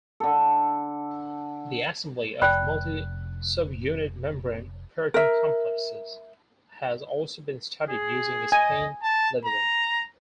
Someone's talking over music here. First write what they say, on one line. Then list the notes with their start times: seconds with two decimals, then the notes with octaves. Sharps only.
The assembly of multi-subunit membrane protein complexes has also been studied using spin labeling.
0.20 D3 A4
2.42 F1 D5 G5 B5 F#6
5.14 A#4 E5
7.90 G#4
8.52 D#5 G#5
9.02 A5
9.45 A#5